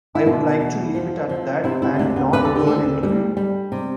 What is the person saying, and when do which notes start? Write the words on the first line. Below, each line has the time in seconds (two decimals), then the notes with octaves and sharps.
'I'd like to leave it at that and not do an interview.
0.15 E4
0.25 B2 D4
0.60 E2
0.95 F3
1.29 F3
1.64 C3 E4
1.82 E4
1.99 D2 D4
2.16 B3
2.33 D3 B4
2.45 A4
2.56 G4
2.67 D2 A4
3.03 G3
3.37 G3
3.72 C3